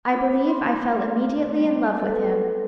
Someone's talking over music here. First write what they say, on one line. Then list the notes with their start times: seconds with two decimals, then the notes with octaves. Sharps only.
I believe I fell immediately in love with him.
0.12 B3 D4 F4 B5
0.49 C6
0.85 A3 D4 F4
1.57 G3 B3 D4 F4
1.98 A4
2.09 B4